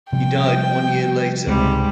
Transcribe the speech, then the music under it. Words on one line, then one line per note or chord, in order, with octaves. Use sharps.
He died one year later.
C3 F3 G3 G5
C#2 G#2 C3 G3